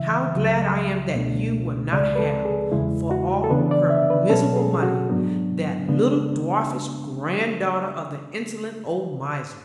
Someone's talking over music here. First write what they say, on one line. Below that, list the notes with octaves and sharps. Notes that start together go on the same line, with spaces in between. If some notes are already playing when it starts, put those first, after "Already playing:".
How glad I am that you will not have, for all her miserable money, that little dwarfish granddaughter of the insolent old miser!'
Already playing: D2 C#3 E3 E5
C#2 C#3 F#3
C#2 B2 A3 D4
C#2 C#3 G#3 D5
B4
A4
G#4
E2 C#3 G#3 E4
F#4
A4
C#3 E3 B3 D4 B4
D5
E5
B4
B2 F#3 C#4 A4
G#4
F#4
G#2 F#3 B3 D4
C#3 G#3 B3 D4